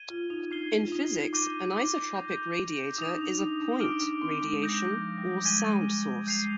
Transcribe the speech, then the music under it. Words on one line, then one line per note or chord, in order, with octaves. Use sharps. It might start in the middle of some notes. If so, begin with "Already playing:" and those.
In physics, an isotropic radiator is a point radiation or sound source.
Already playing: G#6 D#7 G7
F4
D#4
D4 F6 G#6 C7 G7
F4
D#4
D6 G6 A#6 D#7 G7
G6 A#6 F7
D#4 D#6 A#6 F7
D#4
D4
D#4
D4
D#4 D6 F6 A#6 D7 G7
D4
C4
G#3
D#6 G6 A#6
F3
G3
G#3 G#6 D#7 G7
G#3 G6 C7 F7